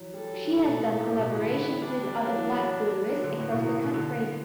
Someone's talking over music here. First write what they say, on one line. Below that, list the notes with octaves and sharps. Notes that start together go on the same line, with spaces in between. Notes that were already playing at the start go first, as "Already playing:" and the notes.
She has done collaborations with other Black brewers across the country.
Already playing: E3 F#3
G3 A4
F#3
F#3
E3
C3 A4
B2
A2
B2
C3 G4
A2
B2
D3 E4
E3
G3 D4
G3
F#3
E3
F#3
F#3
F#3 B3
D3
A2
B2
C3
A2
B2
D3